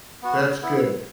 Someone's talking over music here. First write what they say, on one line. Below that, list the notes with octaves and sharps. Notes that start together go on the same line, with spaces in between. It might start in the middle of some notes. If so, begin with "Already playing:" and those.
That's good.
B3 F#4
B3 E4